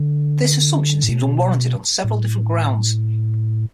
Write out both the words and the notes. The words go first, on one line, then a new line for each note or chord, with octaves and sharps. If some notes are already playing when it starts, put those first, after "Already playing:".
This assumption seems unwarranted on several different grounds.
Already playing: D3
A2
B2
A2